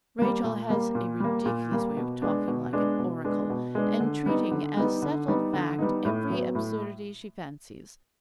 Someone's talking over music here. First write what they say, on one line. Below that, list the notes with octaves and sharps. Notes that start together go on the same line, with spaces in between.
Rachel has a ridiculous way of talking like an oracle, and treating as settled fact every absurdity she fancies.
G3 A#3
A#2
G3 A#3
A#2
G3 A#3
A#2
G3 A#3
B2
G#3 B3 D4
B2
G#3 B3 D4
B2
G#3 B3 D4
B2
G#3 B3 D4
D3
G3 B3 D#4
D3
G3 B3 D#4
D3
G3 B3 D#4
D3
G3 B3 D#4
A2
F#3 B3
A2